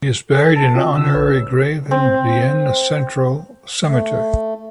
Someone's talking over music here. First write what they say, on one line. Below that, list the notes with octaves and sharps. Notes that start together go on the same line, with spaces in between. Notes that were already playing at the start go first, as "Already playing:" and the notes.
He is buried in an honorary grave in Vienna Central Cemetery.
A4
A5
C4 F4 F#4 D#5
C#3 E6
A#1 B4 C#5
C4
A3